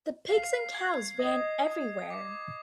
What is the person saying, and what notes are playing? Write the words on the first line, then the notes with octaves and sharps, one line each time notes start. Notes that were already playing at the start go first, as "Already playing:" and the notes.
The pigs and cows ran everywhere.
F5 C7
G#6
D#5 D#6
D#6
D6